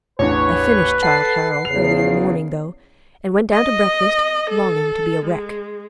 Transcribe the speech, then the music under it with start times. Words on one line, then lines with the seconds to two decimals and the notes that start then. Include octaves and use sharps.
I finished Childe Harold early in the morning, though, and went down to breakfast, longing to be a wreck!
0.19 A1 E2 D4 B4 C#5
1.03 A4 F#5 A5 C7
1.65 E2 C#3 F7
3.53 D#5
4.50 A4
5.25 G#3